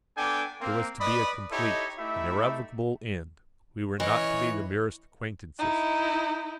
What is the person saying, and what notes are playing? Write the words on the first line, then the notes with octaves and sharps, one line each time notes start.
There was to be a complete, an irrevocable end. We were not to be the merest acquaintances.
B3 D4 A4 G5 G#5 D6
A#3 C4
B4 D5 D#5 B5 D#6
D#4 E4 G4 A4 C#5 D#5
A3 D#4 E4 G4 E5
E3 C#4 C#5 D#5
D#4 E4